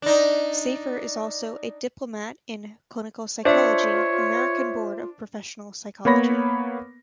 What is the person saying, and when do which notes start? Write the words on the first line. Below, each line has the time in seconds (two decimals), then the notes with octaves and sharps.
Safer is also a Diplomate in Clinical Psychology, American Board of Professional Psychology.
0.02 D4 D#4
3.45 D4 F4 C5 C#5 E5
6.05 A#3 B3 C#5 B5 A#6